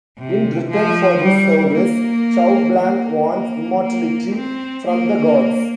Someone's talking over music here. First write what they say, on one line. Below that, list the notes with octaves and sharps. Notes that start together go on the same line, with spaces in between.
In return for this service Choublanc wants immortality from the gods.
C3
F3
G3
A#3
A#3
A#3
A#3
C4
A#3